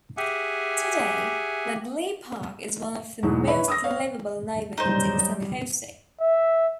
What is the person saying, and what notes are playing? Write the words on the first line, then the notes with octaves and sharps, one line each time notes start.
Today, Naglee Park is one of the most livable neighborhoods in San Jose.
G4 G#4 E5 F#5 G#5
E2 G#2 B2 F#3
B4 C#5 E5 B5
D#6 E6 A#6
C#5 F5
F#3 G3 D#4 C5
E5